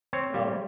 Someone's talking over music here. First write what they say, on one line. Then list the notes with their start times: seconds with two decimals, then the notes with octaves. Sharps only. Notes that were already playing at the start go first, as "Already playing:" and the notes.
Oh, it
0.13 C4 C#5
0.34 G3